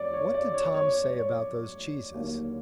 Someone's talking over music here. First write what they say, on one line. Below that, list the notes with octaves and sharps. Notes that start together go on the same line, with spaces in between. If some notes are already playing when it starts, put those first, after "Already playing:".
"What did Tom say about those cheeses?"
Already playing: F1 F2 C#5 D5
C#5
D5
C#5
C#5
C#5
C#5
D#2 D3 F#3 A#3